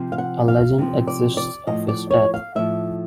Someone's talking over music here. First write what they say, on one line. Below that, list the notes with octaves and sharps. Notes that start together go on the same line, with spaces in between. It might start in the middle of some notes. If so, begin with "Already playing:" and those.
A legend exists of his death.
Already playing: C3 F3
F5
F#5
F5
C3 F3
D5
D5
A2 F3 D#5
D5
C#5
F5
A2 F3 E5